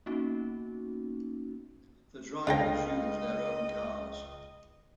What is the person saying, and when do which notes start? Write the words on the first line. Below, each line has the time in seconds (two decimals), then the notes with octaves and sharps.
The drivers use their own cars.
0.06 A#3 B3 C#4 D#4 F#4
2.47 C#2 D4 A4 D#5 F5 G5 A#6